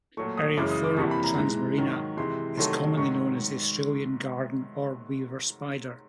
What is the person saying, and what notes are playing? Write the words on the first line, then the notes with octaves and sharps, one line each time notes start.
"Eriophora transmarina" is commonly known as the "Australian garden orb weaver spider".
A#2 F#3 A3 C#6
D#6
F#2 C#3 E3 G#3 D6
D#6
D6
F2 C3 E3 G3 A#3 C#6
B5
A#5
G#2 E3 G#3
G#2 D#3 F#3
C3 E3 G#3 C6
C3 D#3 F#3 A3 C6
G#2 D#3 F#3 C#6